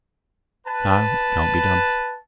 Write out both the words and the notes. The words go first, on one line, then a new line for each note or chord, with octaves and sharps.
Now, it can't be done.
B4 A5